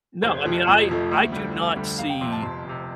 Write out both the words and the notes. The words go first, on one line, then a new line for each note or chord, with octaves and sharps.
No, I mean, I I do not see
F1 C5
F2 F3 A3
F1
F2 F3 A3
D2
D3 G3
D2
D3 G3
F1 F5
G5
F2 C3 C6
A5
F1 C6
F2 C3